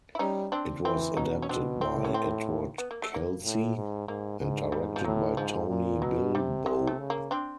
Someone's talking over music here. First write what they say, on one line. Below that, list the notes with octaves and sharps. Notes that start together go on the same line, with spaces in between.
It was adapted by Edward Kelsey and directed by Tony Bilbow.
E4
G3 C#4 D#4
C4 D4
E3 C4
B2 C#4 D#4
C#4
B2 C4 D4
A2 C4
C#4
C4
B3
A#3
A3
A#3
A2
G#2
G#2 A#3
G#2
G#2 G3
F3
A2 F#3
G#2 F3
A#2
B2 F#3
C3 G3
C3 G#3
A3
C#3
A#3
C4 D4